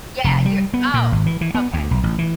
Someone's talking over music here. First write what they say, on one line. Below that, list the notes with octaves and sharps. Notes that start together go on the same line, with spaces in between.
yeah you're oh, okay.
F1
G3
B3
A#2
G#1
E3
E3
B3
D2
B1
A1
E3